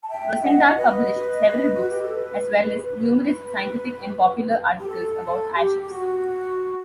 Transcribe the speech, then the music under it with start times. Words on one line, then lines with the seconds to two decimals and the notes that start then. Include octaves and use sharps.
Rosendahl published several books, as well as numerous scientific and popular articles about airships.
0.02 A5
0.09 E5 G5
0.35 G5
0.43 D#5 F#5
0.77 B4 D#5
1.75 F#4
1.89 G4
2.01 A4
2.14 B4
2.82 B4
4.79 G4
4.87 A4
5.56 G4
5.82 G4
5.90 F#4